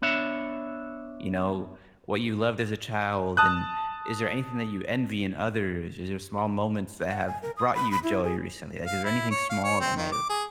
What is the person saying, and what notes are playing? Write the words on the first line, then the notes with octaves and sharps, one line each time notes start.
you know, what you loved as a child, and is there anything that you envy in others? Is there small moments that have brought you joy recently? Like, is there anything small that might have,
B3 D4 C#5 E5
A5 D#6 F#6
F#5
G#5
A#4
D#6
B5
B5
E4
G#4
F5
E4
C#5
F5
C#5
C4
D#3
D6
G#4